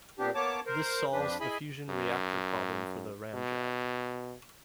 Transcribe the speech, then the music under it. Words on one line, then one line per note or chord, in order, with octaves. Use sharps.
This solves the fusion reactor problem for the ramjet.
A#2 B3 C4 D4 G4
A#3 B3 C#5 A5 D6
A#4 C5
F2 F3 D4 B4
E4 G#4 D#5 G#5 B5
F#2
B2